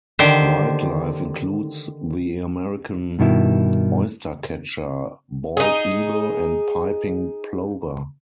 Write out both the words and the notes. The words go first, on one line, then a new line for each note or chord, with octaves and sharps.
Wildlife includes the American oystercatcher, bald eagle and piping plover.
D3 D#3 G4 C5
G2 B2 D#3 E4
D#4 G#4